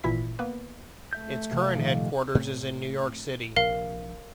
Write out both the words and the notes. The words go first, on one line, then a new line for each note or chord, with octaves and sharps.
Its current headquarters is in New York City.
G#1 A#2 E3 E4 E5 B6
A#3 B3 B4
A3 E5 G6
C3 F3 A#3
A#2 D#3 G3
A2 A3 C4
A#1 C3 A#4 F5